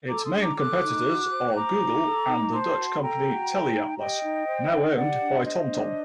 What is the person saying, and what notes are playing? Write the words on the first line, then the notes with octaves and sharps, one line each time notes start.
Its main competitors are Google and the Dutch company TeleAtlas now owned by TomTom.
A4 A#5 D6
C6 D#6
D4
A#5 D6
A4 D6 F#6
D#4
F#4
C5
C5 A#5 D6
D#4
A4
D#4
C5 A5 C6
F#4
A4 G5 A#5
F#4
C5
D#4
G4 D#5 G5
D#4
C5
D4
G4 D5 F#5
D4
C5 D#5
D4